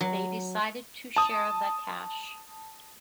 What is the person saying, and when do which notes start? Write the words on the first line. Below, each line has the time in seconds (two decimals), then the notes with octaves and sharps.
They decided to share the cash.
0.01 F#3
1.16 A5 D#6